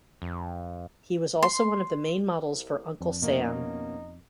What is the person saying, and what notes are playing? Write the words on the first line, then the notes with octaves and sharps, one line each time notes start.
He was also one of the main models for "Uncle Sam".
F2
C6
C2
F2 D4
B2 A#3 C#4 D#4